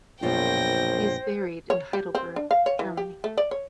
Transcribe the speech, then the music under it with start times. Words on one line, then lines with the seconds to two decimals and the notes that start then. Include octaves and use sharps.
He is buried in Heidelberg, Germany.
0.23 A#1 F#2 B2 F4 C5 G5 A#6
1.70 C#5
1.93 G4
2.15 C4
2.36 D4
2.51 F5
2.66 C#5
2.79 E3
2.97 G4
3.24 A3
3.38 D5
3.51 C#5